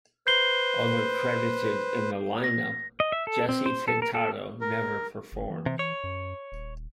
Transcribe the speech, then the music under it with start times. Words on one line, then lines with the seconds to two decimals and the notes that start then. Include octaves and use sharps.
Although credited in the line-up, Jesse Pintado never performed.
0.27 B4 C5 G6 C7 G7
2.44 A#6
3.00 D#5
3.12 E5
3.27 A4
3.49 C4
3.66 C5
3.88 A4
4.02 A#4
4.15 A4
4.61 A#4
5.32 G1
5.50 E3
5.66 C3
5.79 C#5
6.04 F#2
6.52 D#1